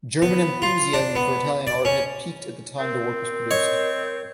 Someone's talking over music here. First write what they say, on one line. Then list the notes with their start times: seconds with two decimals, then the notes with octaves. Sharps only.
German enthusiasm for Italian art had peaked at the time the work was produced.
0.22 B3
0.62 F4
0.93 D4
1.15 B3
1.67 D5
1.85 C#4
2.80 C4 A#4
3.51 C#5 D#5